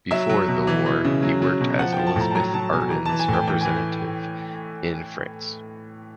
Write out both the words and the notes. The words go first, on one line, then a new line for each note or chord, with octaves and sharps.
Before the war he worked as Elizabeth Arden’s representative in France.
F#3 E5
F#3
B2
E3
E3
C#3
F#3
F#3
B2
F3 F#5
G5
F3
A5
A2 A#5
A5
F#3 A#5
F#3 A5
B2 G#5
E3 A#5
E3 A5
G#5
A2 G5
E3 G5
E3 G#5